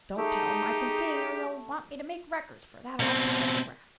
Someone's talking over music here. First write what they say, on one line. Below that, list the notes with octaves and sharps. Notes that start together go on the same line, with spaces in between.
Don't tell 'em I can sing, or they'd want me to make records for that awful phonograph.
A3 D#4 G4 G#4
B2 C4